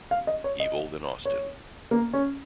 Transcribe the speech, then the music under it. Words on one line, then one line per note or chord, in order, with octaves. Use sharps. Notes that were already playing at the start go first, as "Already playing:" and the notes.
Evil than Austin.
F5
D#5
C#5
D#5
C#5
A#3
C#4